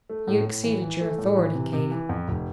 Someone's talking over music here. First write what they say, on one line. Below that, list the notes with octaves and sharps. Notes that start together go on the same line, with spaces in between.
"You exceeded your authority, Katie."
A3
A2
A2
E3
E3
A3
A2
E3
C3
C3
E3
F2
F1